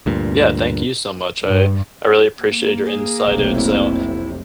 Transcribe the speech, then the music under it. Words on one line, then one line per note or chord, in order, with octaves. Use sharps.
Yeah, thank you so much. I I really appreciate your insight and so
D2 G2 A#2
G2
A#3
G#4
F1 B1 C3
E4